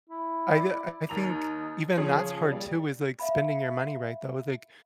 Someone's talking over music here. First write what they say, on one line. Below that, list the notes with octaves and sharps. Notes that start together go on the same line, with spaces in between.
I ju I think even that's hard too is, like, spending your money right though, like,
E4
D5
D#2 D#4 A#5 F7
C#3 F3 C#4 G#4
G3
E5 F5 B5